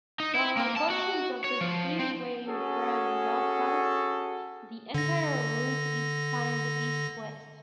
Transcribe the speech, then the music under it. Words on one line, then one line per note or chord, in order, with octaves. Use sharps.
Though portions of the freeway run north-south, the entire route is signed east-west.
D#4
E4
A#3
A5
F#4
C#5
F3
C4
C#4 F#4 G#4 A4
D3 A#6